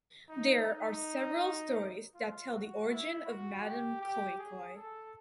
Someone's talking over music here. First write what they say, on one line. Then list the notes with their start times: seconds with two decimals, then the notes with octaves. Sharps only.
There are several stories that tell the origin of Madam Koi Koi.
0.28 D#4
0.66 D#4
2.14 F4
2.52 F#4
2.90 E4
3.26 F#4
3.63 G4
4.01 G4
4.38 G#4
4.76 A4